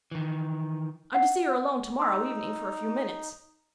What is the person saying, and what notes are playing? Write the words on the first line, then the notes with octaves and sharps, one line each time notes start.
I'm to see her alone to-morrow evening for a few minutes.
D#3 E3
F#5
D#4 C6 E6